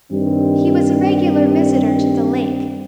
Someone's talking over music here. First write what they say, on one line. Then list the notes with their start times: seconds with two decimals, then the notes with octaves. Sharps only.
He was a regular visitor to the lake.
0.12 G2 D#3 G3 C4